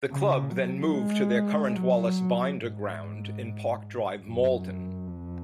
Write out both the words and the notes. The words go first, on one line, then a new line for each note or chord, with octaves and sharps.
The club then moved to their current Wallace Binder Ground in Park Drive, Maldon.
C#3
F#3
G#3
F#3
G#2
F#2
F2